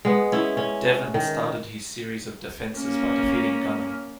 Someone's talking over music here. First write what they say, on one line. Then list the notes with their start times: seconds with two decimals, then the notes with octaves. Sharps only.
Devon started his series of defenses by defeating Gunner.
0.05 G#3 B3
0.32 C#4 E4
0.57 C#4
1.14 D#3
2.78 A#3 C#4